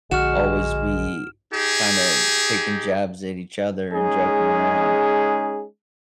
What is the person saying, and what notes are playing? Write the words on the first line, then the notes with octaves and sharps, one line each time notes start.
always be kinda taking jabs at each other and joking around.
A#1 D3 G#3 F#4 F6 E7
D#4 G4 G#4
G#3 C#4 D#4 G#4